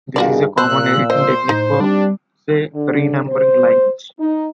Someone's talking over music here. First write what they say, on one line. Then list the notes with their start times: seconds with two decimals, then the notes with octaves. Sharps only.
This is a common editing technique for, say, renumbering lines.
0.16 G2 D#3 F4 F#4 G#4 D5
0.58 A#2 C5 E6 F#6
1.10 C5 D#5
1.49 A2 D#4
1.80 G3 C4 D4 G4
2.74 D3
3.28 C5
4.19 D#4